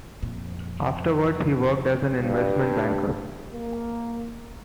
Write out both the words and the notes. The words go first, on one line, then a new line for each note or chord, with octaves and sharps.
Afterwards, he worked as an investment banker.
F2 A#2
G2
A#3